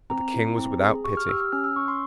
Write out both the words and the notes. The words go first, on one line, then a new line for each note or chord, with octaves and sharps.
But the King was without pity.
C4 A#5
E4
C4
G#4
G4 C#6
F6
G4 E6
F6
C#4 F6
E6
C#4 C#6
C6